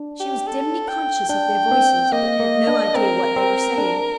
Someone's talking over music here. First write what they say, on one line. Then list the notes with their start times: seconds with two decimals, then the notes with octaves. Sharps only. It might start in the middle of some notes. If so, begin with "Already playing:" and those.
She was dimly conscious of their voices, but had no idea what they were saying.
Already playing: D4
0.20 G4
0.47 A4
0.88 G5
1.29 D4 G5
1.71 C4
2.12 A#3 D#5
2.40 A#3
2.68 D4
2.95 C4 A#4
3.36 C4
3.78 D4